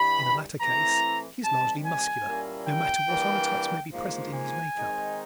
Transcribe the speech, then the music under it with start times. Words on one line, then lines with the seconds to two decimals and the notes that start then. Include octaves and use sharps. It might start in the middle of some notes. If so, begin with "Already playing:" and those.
In the latter case he is largely Muscular, no matter what other types may be present in his makeup.
Already playing: G2 E3 G3 B5
0.60 E3 A3 C4 E4 A#5
1.42 C3 D#3 G3 A5
1.84 G#5
2.25 A#2 G3 A#3 C#4 E4
2.67 G5
3.08 E3 G3 A#3 D4
3.92 G#2 F3 A#3
4.34 G#5
4.74 D#3 G#3 C4 D#4